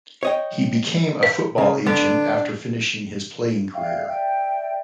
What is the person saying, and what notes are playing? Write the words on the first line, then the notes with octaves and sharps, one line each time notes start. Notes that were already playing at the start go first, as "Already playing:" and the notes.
He became a football agent after finishing his playing career.
C#5 D#5 G5
B4
C#3
D3 B3 D4
D5 E5 F5 G5
D5 E5 G5